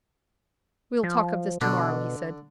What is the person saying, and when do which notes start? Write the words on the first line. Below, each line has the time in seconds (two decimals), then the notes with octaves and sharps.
"We'll talk of this to-morrow," he said.
1.03 F3
1.61 B2 D3 D4